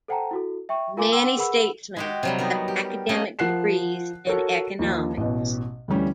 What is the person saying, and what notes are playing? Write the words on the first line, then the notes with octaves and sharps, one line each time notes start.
Many statesmen have academic degrees in economics.
A4 C5 F#5 G5 A5 A#5
E4 F#4 A4
E5 G5 C#6
F4 A#4 F5 G#5 C6 D6
F#5 G5 C6 D6 E6
G#4 A#4 B4 F#5 B5 E6
G#3 F#4 G4
C3 F#3 G3
B3 D#4 A#4
G4
A3 A#3 C#4 D#5
F3 A#4 F#5 F#6 C7 E7
F#4 A4 A#4 C#5
D#2 F3
A1 B2
D2 D3 E3 G3 C#4